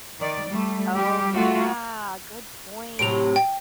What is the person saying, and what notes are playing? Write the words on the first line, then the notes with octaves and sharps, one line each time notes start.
Oh, yeah, good point.
D#3 D5
G3 A3
G3 G4
A3 F4 F#4
A2 C3 F#3 D7 F7
G5